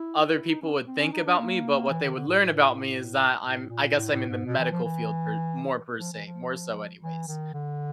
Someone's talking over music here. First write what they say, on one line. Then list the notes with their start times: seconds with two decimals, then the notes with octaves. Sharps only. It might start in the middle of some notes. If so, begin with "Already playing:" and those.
other people would think about me, but what they would learn about me is that I'm I guess I'm in the medical field per more per se, more so anyways,
Already playing: E4
0.36 E4
0.49 D#4
0.61 C#4
0.87 C4
1.00 C#4
1.13 D#4
1.26 D4
1.39 A#3
1.89 E3
2.02 D#3
2.16 D3
2.28 A2
2.41 A2
3.44 A2
3.69 A#2
3.95 A2
4.12 A2
4.29 G#2
4.46 B2
4.59 E3
4.71 F3
4.85 E3
5.99 F3
6.12 E3
6.26 F3
7.03 E3
7.28 D#3
7.54 D3